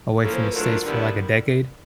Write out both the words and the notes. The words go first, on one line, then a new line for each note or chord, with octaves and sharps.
away from the States for like a decade.
F3 A#3 C#4 E4 A4
C5
B4
F#3 A3 D4 F4 A#4
A4
A#4
D3 G3 B3 E4